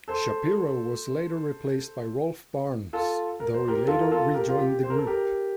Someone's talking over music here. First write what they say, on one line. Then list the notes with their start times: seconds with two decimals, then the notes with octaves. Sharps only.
Shapiro was later replaced by Rolf Barnes, though he later rejoined the group.
0.08 A4 C5
2.93 F4 A4
3.40 A#4
3.54 C5
3.68 G4 A#4
3.87 F4 A4
4.02 A#4
4.11 F4 A4
4.34 G4 A#4
4.48 F4
4.59 G4
4.83 C5
4.90 A#4
4.98 A4
5.07 G4 A#4